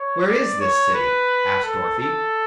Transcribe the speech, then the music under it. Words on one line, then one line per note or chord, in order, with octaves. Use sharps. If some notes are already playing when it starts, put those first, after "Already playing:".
"Where is this city?" asked Dorothy.
Already playing: C#5
D5
C#5
B4
A4
A4